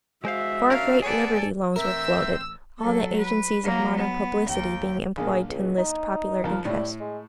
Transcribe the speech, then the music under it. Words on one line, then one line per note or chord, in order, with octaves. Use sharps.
Four great Liberty Loans were floated, all the agencies of modern publicity being employed to enlist popular interest.
G#3 F#4 C5 E5 F5
C#4 D4 A#4 F5
B3 G#4 A4 D5 G#5
A1 C4 A#4 E5 E6
F#3 A4
B4
F#3 A#3
B3
D#2 G5
A#1 A#3 G#4
C#2
D#4
F2 F3 A#4
A2 G3 E4
G#3